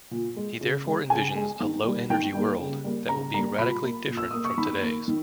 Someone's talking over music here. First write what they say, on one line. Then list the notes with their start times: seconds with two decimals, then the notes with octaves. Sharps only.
He therefore envisions a "low energy" world that will be radically different from today's.
0.11 A#2
0.37 G#3
0.61 C#3
0.86 G#3
1.10 C#3 G#5
1.35 G#3
1.60 D#3
1.85 G3 A#3
2.10 D#3 G5
2.35 G3 A#3
2.59 C#3
2.84 G3 A#3
3.08 C#3 A#5
3.34 G3 A#5
3.37 A#3
3.58 A#2 B5
3.83 A#3
4.09 A#2
4.17 E6
4.31 A#3 D#6
4.45 C#6
4.58 D#3 B5
4.82 A#3
5.08 D#3